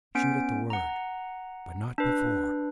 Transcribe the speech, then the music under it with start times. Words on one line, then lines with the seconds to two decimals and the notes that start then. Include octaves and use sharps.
Shoot at the word, but not before.
0.15 B3 C#4 D7
0.70 F#5 A#5
1.98 D4 B4